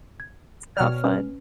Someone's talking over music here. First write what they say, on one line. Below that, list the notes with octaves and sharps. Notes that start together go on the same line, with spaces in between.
It's not fun.
G#6
B2 C#5 D5 G5 F6
C#4 B4